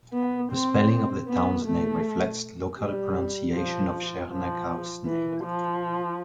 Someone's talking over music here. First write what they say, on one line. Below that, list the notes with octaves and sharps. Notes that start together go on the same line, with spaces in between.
The spelling of the town's name reflects local pronunciation of Scherneckau's name.
B3
C4
B3
A3
G3
F3
F3
E3
F3